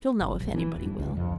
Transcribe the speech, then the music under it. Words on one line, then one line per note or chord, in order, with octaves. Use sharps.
She'll know if anybody will.
G1
B1
E3
E1
G2
C#2
F2